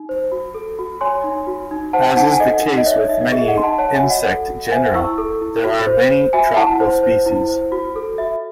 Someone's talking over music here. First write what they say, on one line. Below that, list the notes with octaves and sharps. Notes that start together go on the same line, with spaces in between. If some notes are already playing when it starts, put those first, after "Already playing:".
As is the case with many insect genera, there are many tropical species.
Already playing: D#4
C5
F#4
A4
F#4
C#5 G#5 C6
D#4
F#4
D#4
C5 F#5 A5
D#4 F#5 A5
G#5
A4 D#5 F#5
D#4
D#5
C#5 E5
D#5
D#4 E5
D#5
G#4 E5
D#5 F#5
D#4 C6
F#5 A5
C#5 F#5 A5
E5 G#5
F#4
D#5 F#5
A4
F#4
F#5
C5 E5 G#5
E4 C#6 E6
A4
E4
F#4
C5
C5
F#4 E5 G#5
E4 F#5 A5
C5
C5
E4
C5
F#4
A4
F#4 E5